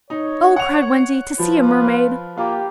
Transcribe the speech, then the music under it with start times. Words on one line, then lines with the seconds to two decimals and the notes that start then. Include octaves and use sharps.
"Oh," cried Wendy, "to see a mermaid!"
0.10 D#4 C#5
0.56 F#5 F7
1.39 F3 F4 B4
2.38 A#3 F4 G4